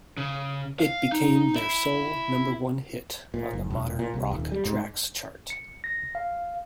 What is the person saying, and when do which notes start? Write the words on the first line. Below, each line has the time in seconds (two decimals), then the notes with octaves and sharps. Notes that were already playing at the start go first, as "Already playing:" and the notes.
It became their sole number-one hit on the Modern Rock Tracks chart.
0.17 C#3
0.79 F5
1.12 D#4
1.56 E4
3.34 A#2
3.53 F#1
3.70 E1
3.99 A#2
4.14 C2
4.31 D#1
4.52 G3
4.65 G#2
5.50 C#7
5.84 A#6
6.15 F5